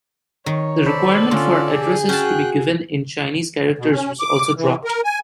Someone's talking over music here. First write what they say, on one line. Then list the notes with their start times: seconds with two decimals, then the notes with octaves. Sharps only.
The requirement for addresses to be given in Chinese characters was also dropped.
0.46 D#3 C#5
0.86 A4 C5 D5 A5 B5
1.31 D3 C#4 F4 C6
1.71 G4 G#4
2.09 C#4 F#4 G5 A5 F#6
3.78 B2
3.92 C#4
4.20 D6
4.56 E3
4.85 A#4
5.04 G#5